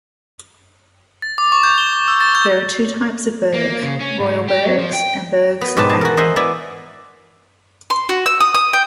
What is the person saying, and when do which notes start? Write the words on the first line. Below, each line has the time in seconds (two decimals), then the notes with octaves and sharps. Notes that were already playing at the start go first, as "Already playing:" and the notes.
There are two types of burgh: royal burghs and burghs of barony.
1.22 A6
1.38 D6
1.52 C#6
1.63 G6
1.78 G7
1.93 D6
2.08 E6
2.21 A6
2.35 G6
3.54 A#3
3.83 C#3
4.00 C#4
4.20 G#2
4.48 G4
4.63 F#3
4.79 F3
4.93 G5
5.61 B3
5.77 G#2 B2 G4 B4 A5
5.89 G#4 A5
6.01 F#4 A#4
6.17 C5 D#5 E5 F#5 G#5
6.36 B3 E4 D5 G#5
7.90 C6
8.09 F#4
8.26 E6
8.40 D#6
8.55 D#6
8.73 G5